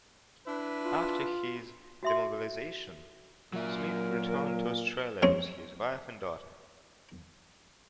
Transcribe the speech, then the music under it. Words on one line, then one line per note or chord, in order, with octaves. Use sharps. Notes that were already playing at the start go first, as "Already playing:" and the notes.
After his demobilisation, Smith returned to Australia with his wife and daughter.
D4 E4 B4
F4
F#4 E5 C6
A#2 F#3 A#4 E5
F3 G#3 C4 C#4 C#5